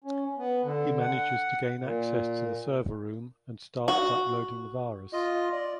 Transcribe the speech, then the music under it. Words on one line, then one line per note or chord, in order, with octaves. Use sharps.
He manages to gain access to the server room and starts uploading the virus.
C#4
B3
D3
F#5
A#2
F#4
F4 D#5
D5